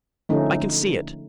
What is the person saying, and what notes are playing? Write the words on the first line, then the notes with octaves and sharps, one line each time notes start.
I can see it.
D3 F3 A3 C#4 D#4